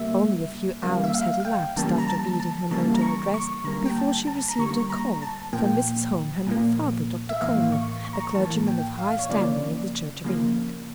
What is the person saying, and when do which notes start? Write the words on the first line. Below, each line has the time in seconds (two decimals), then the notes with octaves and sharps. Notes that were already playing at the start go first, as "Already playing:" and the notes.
Only a few hours had elapsed, after reading her note and address, before she received a call from Mrs. Holmes and her father, Dr. Coleman, a clergyman of high standing in the Church of England.
Already playing: C#3 G3 A#3 E5
0.83 C#3 G3 A#3 F5
1.04 E5
1.14 F5
1.40 F5
1.45 G5
1.77 C#3 E3 G3 A#3 A5
1.98 A#5
2.08 A5
2.40 A5
2.71 C#3 E3 G3 A#3 A5
2.94 A#5
3.01 C#6
3.34 C#6
3.64 D3 G3 A#3 A#5
3.86 G5
3.96 A5
4.27 A5
4.48 A#5
4.59 D3 G3 A#3 C#6
4.90 A#5
5.22 A5
5.53 A#2 F3 A#3 G5
6.47 A#2 F3 A#3
7.29 E5
7.41 A2 E3 A#3 F5
7.72 C#6
8.05 C#6
8.13 A#5
8.20 C#6
8.35 A2 E3 A#3 A5
8.67 G5
8.99 F5
9.19 C#5
9.29 C#3 F3 A#3 D5
10.24 C#3 F3 A#3